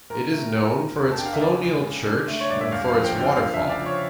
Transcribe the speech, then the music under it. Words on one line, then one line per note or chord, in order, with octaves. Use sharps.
It is known for its colonial church and for its waterfall.
A#2 A#4
A3
A#2
A#3
E2
A5
D4 G5
F5
E5
C#3 D5
C#2
C#3
D4
A3
C#5
G2 D5
E5
E2 F5
F5
F3
G5
D3
G5
F3 F5
E5
C#3
D5
F3
C#5